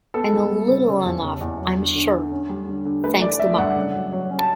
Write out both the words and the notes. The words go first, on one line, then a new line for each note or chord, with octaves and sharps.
I know little enough, I am sure, thanks to Ma!
B3 A4
G3
G3
C#3
C#3
E2
C#3
E2
F#3
D3
D3
D3
C#4
G3
D3
D3
A3 B4
E3 D5
A3 E5
G2 F#5
C#3
F#3
F#3
C#4
A5